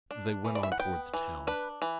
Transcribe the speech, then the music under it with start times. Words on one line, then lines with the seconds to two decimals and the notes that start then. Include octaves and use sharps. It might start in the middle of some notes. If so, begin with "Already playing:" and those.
They went on toward the town.
0.11 D4
0.45 E3
0.55 D5
0.63 E5
0.72 F#5
0.79 B3 G5
1.13 E3
1.47 D4 B4
1.82 E3